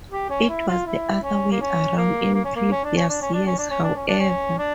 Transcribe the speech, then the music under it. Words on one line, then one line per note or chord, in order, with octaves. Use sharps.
It was the other way around in previous years however.
G4
C#4
E4
F4
E4
C#4
A#3
C#4
A#3
A#3
C#4
A#3
C#4
D4
C#4
D4
C#4
D4
C#4
D4
C#4
D4
C#4
D4
C#4
D4